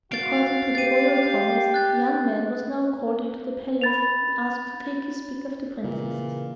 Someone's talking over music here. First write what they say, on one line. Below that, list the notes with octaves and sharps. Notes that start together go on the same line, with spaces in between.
According to the royal promise, the young man was now called into the palace and asked to take his pick of the princesses.
F#4 F5 A6 D7
G4 A6 D#7
G4
F#6 A6
B5 A6 F7
A#2 C#3 E3